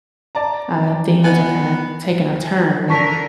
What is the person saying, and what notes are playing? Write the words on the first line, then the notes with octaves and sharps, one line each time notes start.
uh, things are kinda taking a turn.
D5 A5 A#5
B3 G#5
D3 A#4 A5 C#6 B6